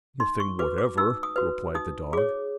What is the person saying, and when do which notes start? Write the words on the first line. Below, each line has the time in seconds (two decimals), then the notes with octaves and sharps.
"Nothing whatever," replied the dog.
0.20 D#4 C6
0.40 C#6
0.59 F#4 B4 D6
0.78 D6
0.97 D#4 E6
1.23 D#6
1.36 F#4 B4
1.75 D#4 D#6
2.13 G#4 C#5 D6